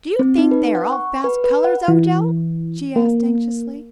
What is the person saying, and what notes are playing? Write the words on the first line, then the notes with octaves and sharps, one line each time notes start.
"Do you think they are all fast colors, Ojo?" she asked anxiously.
C4
D#4
B4
F#5
C#6
B4
B4
F#5
E3
A#3